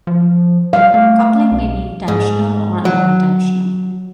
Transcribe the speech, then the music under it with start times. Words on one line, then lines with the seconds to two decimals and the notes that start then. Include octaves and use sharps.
Coupling may be intentional or unintentional.
0.07 F3
0.73 G3 F5
0.94 A3
1.52 B1
2.08 G#2
2.85 F#3